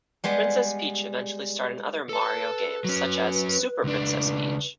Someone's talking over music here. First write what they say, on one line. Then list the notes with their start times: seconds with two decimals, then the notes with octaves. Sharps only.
Princess Peach eventually starred in other "Mario" games such as "Super Princess Peach".
0.24 G3 G#3 B3
2.09 A4 B4 A5
2.85 F#3 C#4
3.84 C#2 D4